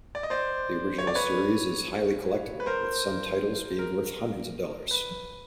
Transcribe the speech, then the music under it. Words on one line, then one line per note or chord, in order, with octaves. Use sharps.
The original series is highly collectible, with some titles being worth hundreds of dollars.
D5
D#5
C5 D5
C#5
D5
B4 C#5
B4
A#4 C5
A#4
B4